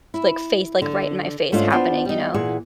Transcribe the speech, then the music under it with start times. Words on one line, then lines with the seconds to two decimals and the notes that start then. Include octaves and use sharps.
like, face like, right in my face happening, you know?
0.14 E4
0.82 D3
1.52 G#2 A3 C#4 D4 F4
1.72 B3 D4 F4 B4 C5
2.05 G3 D#4
2.34 A#2 E3 G#4 F#5